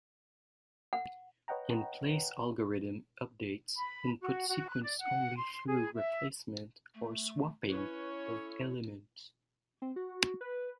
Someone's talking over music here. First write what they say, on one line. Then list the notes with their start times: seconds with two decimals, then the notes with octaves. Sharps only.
In-place algorithm updates input sequence only through replacement or swapping of elements.
0.93 F#5
1.48 B4 C#5 D#5 F#5 G5 A#5
3.77 B5
4.21 F#4
4.48 F#4
4.68 F#6
4.83 D5
4.99 F#5
5.37 C6
5.67 G#4
5.95 E5
6.94 A3
7.69 C#4 E4 B4 C#5
8.25 A4
9.82 C4
9.96 F#4
10.41 B4